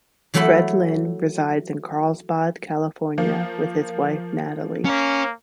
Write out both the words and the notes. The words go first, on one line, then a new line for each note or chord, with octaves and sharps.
Fred Lynn resides in Carlsbad, California with his wife, Natalie.
E3 F#3 A3 A4 F#5 B5
F3 A#3
A#3 C#4 C#5